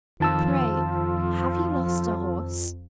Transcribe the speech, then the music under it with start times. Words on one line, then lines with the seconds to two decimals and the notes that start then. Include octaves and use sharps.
But, pray, have you lost a horse?
0.20 F2 D#3 F3 F4 A5 E6